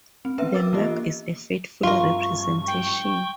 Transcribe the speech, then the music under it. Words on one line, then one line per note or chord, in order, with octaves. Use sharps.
The map is a faithful representation.
C4
B3 C#4 B4 E5
A#4 D6 E6 A6
E3 A#3 B3 F4 G4 D#5
G2 F3 F4 A#4 C#6
G5